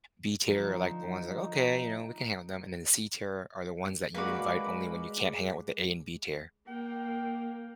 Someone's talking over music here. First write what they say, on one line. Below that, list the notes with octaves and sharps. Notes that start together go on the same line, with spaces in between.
B-tier are, like, the ones that, okay, you know, we can hang with them, and then the C-tier are the ones that you invite only when you can't hang out with the A and B-tier.
D3 F3 A3 D#4
G#3 A#3 F#4 B4 D5
A#3 G5